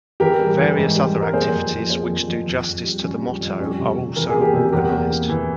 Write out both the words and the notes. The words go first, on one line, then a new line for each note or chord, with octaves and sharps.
Various other activities which do justice to the motto are also organized.
E3 G4 A#4
G3
E3
G#2
G3
G3
A#4
A#3 G#4 C5
F2
F2
A#3 G#4 C5
F2
F2
F2
F2
G3
F2 C#4
G3
F2
G3 C#4
C3
C3
E3 A#4
G#4
A#3
G4 A#4
C3
E2 G4 A#4
A#3
A#3
E3